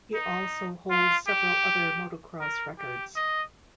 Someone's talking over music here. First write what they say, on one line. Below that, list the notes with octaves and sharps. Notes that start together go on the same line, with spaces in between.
He also holds several other motocross records.
D#4
F4
G4
A#4
G4
D#5